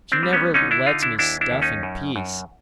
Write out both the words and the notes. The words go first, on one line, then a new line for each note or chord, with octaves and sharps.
She never lets me stuff in peace.
C4 D4
G3
B3 C#4
D3 C#4 D#4
D4 E4
D3 D#4 F4
D4 E4
D#2 D4 E4
D4 E4
D#2
C#4 D#4
F#2
F#2